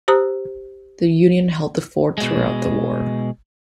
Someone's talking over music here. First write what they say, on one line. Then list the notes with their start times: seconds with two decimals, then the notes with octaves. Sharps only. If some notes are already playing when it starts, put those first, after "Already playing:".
The Union held the fort throughout the war.
0.08 G4 C5 A#5 D#6 F#6
2.18 B2 G#3